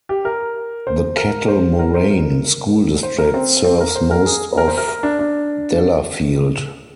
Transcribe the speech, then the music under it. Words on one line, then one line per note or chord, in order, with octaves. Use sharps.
The Kettle Moraine School District serves most of Delafield.
G4
A#4
C5
A#4
C5
A#4
C5
A#4
C5
A#4
C4
C4
A#4
C5
A#4
G#4
A#4
C5
A#4
A#4
D4
D4